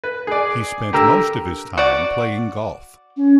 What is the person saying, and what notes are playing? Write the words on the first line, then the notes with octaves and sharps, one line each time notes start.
He spent most of his time playing golf.
B4
G#4 D5
D3 G4 A#4 A#5 E6
F#4 D5
C#4